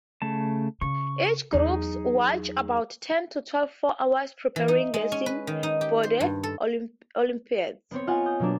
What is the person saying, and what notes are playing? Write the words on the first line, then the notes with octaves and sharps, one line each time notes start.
Each group watches about ten to twelve-four hour preparing lessons for the olympiad.
C#3 A3 A5
C#3 C#6
E2 F#3 D#4 G#4
E3
D#4
G#3
C#4
B4
D#3
D#4
G4
C5
G2
A4
B3 C4 C#5
F4 D#5 F5 F#5 G#5
D#6 G6
B2 F#3 A#3 D4